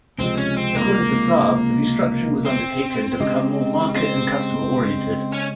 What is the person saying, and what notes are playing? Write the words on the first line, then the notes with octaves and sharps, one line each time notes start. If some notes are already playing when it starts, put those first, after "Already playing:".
According to Saab the restructuring was undertaken to become more market and customer oriented.
C#2 C3 F3 G#3 C4
C#4
C4
A#3
C4
C#3 G#3 D#4 G4
C4
C#4